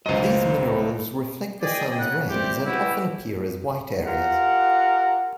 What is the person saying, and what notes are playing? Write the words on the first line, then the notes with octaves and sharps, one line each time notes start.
These minerals reflect the Sun's rays and often appear as white areas.
C#2 F#2 C5 D#5
G#4 D5 D#5 G5
C#3 F#5
G3 C4 E4 G4
E4 F#4 G4 B4
F4 G4 A#4 F#5